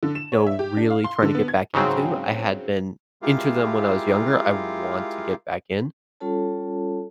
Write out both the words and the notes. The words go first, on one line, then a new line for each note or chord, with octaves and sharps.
you know, really trying to get back into, I had been into them when I was younger, I want to get back in,
D3
E7
C#5
E5
G4
D4
F5
C6
D3
B3
G#6
G#2 C#3 F#3 C4
G#3 E4 F4 G4 A#4 F5
G3 C#4 F4 A4 C#5 A5